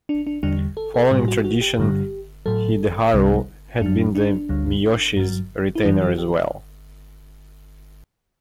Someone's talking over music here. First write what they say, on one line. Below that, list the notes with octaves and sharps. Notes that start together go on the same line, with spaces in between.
Following tradition Hideharu had been the Miyoshi's retainer as well.
D4
D4
E2 D3 G3 D4
A4
A4
A2 G3 G4
F#4
F#4
G4
G2 D3 G3
A2 F#3 A4
C2 C3 G3
F#2 F#3 D4
D4
D2 D3 G3
G2 F#3
E4
F#2 E3 G3 D4
F#4
G4